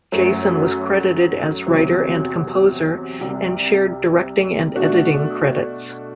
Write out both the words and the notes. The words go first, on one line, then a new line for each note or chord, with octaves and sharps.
Jason was credited as writer and composer, and shared directing and editing credits.
F#2 F#3 A3
E2 C3 F#3 C4
C2 C3 G3
B2 A3 D4 F#4